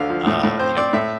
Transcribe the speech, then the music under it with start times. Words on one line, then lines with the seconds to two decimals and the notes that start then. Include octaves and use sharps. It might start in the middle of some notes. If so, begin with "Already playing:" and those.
uh, you know.
Already playing: D2 D3 F5
0.10 F3
0.27 A2
0.43 A2
0.59 C4 C5
0.76 C4 D5
0.93 A2 E5